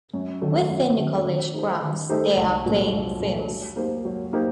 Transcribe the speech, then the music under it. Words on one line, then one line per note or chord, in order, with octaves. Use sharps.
Within the College grounds, there are playing fields.
F#2
D#3 F#3 A3
F#2
D#3 F#3 A3
D#3
A3 D#4 G4 C5
D#3
A3 D#4 G4 C5
C2
A#2 F#3 A3 D4
C2
A#2 F#3 A3 D4
F#3
A#3 D#4 G4 C5
F#3
A#3 D#4 G4 C5